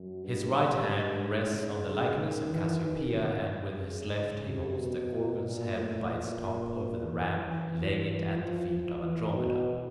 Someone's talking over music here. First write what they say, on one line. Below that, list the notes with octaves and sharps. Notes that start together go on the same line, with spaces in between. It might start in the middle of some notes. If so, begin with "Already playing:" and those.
His right hand rests on the likeness of Cassiopea, and with his left he holds the Gorgon's head by its top over the Ram, laying it at the feet of Andromeda.
Already playing: F#2
G2
G#2
C#3
D#3
E3
D#3
C#3
C3
B2
A#2
A2
A#2
E3
E3
F3
F3
E3
B2